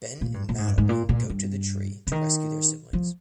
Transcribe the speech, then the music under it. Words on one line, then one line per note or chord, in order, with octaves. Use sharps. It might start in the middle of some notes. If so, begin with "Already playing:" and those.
Ben and Mallory go to the tree to rescue their siblings.
A#2
G2
A#2
G#2
G2
G#2
A#2
A#2
G2
C#3
D#3
F3